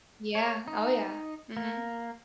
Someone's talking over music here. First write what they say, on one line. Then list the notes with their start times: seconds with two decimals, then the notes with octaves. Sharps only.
Yeah. Oh, yeah. Mhm.
0.35 C#5
0.68 D#4
1.57 A#3